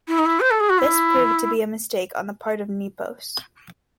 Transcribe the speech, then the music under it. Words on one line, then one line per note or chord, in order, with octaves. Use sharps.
This proved to be a mistake on the part of Nepos.
E4
D#4
E4
C5
A4
G#4
F#4
E4